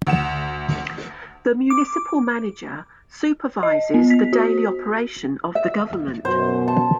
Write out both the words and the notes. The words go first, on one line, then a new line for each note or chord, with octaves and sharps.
The municipal manager supervises the daily operation of the government.
D2 F#5 E7
D6
D#5
B3
B6
F#4
E5
F#2 B2 C5
A5